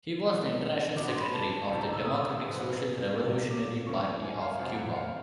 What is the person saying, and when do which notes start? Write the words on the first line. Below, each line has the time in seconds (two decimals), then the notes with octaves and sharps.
He was the international secretary of the Democratic Social-Revolutionary Party of Cuba.
0.25 C2 C3 E3 A3
0.96 G2 D3 F#3 B3 D6
1.08 C6
1.21 B5
1.33 A5
1.51 A5
1.69 C#2 C3 D#3 G3 A5
1.81 A#5
1.93 E6
2.05 D#6
2.15 E6
2.24 D#6
2.42 G#2 F3 G#3 B3
3.14 D2 C3 F3
3.50 D6
3.87 D2 C#3 F3 C#6
4.23 G#5
4.41 F5
4.59 F2 C3 F3 F#5
4.77 F#5
4.95 F5